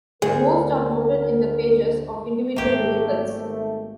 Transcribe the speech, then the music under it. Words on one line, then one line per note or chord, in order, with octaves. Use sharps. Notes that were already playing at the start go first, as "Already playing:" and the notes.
Most are noted in the pages of individual vehicles.
D2 G#4 A#4
G#1 A3 A#3 G4